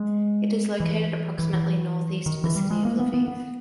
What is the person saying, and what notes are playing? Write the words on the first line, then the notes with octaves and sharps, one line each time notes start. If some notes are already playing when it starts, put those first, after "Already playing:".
It is located approximately northeast of the city of Lviv.
Already playing: G#3
E3
E3
E3
D#3
E3
G3
G#3
A#3
B3
B3
B3